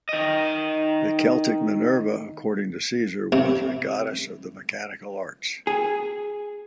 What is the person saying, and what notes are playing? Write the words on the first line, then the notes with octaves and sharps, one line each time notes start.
The Celtic Minerva, according to Caesar, was a goddess of the mechanical arts.
D#3 D#5
C3
G#4